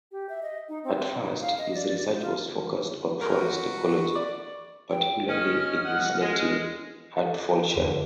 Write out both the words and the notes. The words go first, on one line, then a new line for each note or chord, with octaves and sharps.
At first, his research was focussed on forest ecology, particularly in his native Hertfordshire.
G4
E5
D#5
D#4
C4
C4
D#4
F5
D#5
D5
C5
F4
F#4 A#4 B4 C#6
D5
G5
C#4 D#5 F6
E2 D#5 F#5
G#3
A4
E2 G2 D3